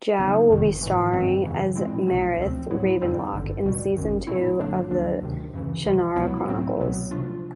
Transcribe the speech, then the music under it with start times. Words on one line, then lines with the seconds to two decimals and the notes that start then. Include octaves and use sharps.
Jow will be starring as Mareth Ravenlock in Season two of The Shannara Chronicles.
0.18 C#2 C#3 F#3 B3 D#4
0.50 G1 F2 C3 D#3
0.81 A2 E3 A3
1.13 G2 D#3 G#3 C4
1.44 F2 C#3 E3
1.76 A#2 F3 G#3 C4 E4
2.07 B1 B2 F#3 A3 C4
2.38 D2 C3 F3 A3 C4
2.71 A2 F#3 B3 E4
3.02 F2 D3 G3 C4 D#4
3.33 G#1 G2 D3
3.65 C#2 B2 G3
3.96 G#1 F#2 D#3
4.27 A#2 F#3 A3 C4 E4
4.59 G2 D3 F#3 A#3 D4
4.91 D2 D3 F#3 A#3 D4
5.22 D2 C3 D#3
5.54 F#2 C#3 E3
5.85 C#2 C3 F3 G#3
6.16 C#2 B2 F#3 B3 E4
6.47 A2 F#3 A3 C4
6.79 C2 B2 F#3 B3
7.11 C3 F3 A3 D4 F4